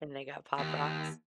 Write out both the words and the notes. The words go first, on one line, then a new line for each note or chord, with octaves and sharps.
And they got Pop Rocks.
D#2